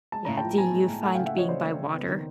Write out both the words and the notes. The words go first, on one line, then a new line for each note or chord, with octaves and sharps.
Yeah, do you find being by water
G#3 A5
A2 A#5
G5 A5
F3
B3 G#5 A#5
G#3
A2
A3 F#5 G#5
F5 G5
C#3
E5 F#5
F#3 C#5 D#5
C#3 C5 D5
A3
C#3
B3
D#3